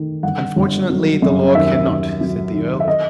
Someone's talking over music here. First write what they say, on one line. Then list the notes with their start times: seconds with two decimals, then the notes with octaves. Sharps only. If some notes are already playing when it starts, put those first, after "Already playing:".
"Unfortunately the law can not," said the Earl.
Already playing: D#3 A3
0.23 G1 F#5
0.56 G1
0.90 F#3
1.22 F#2
1.55 D#2 E5
1.88 D#2
2.21 F#3
2.54 D#3
2.80 E5
2.88 D#5